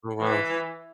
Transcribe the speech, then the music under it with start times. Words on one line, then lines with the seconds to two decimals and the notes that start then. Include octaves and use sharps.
Oh, wow.
0.21 E3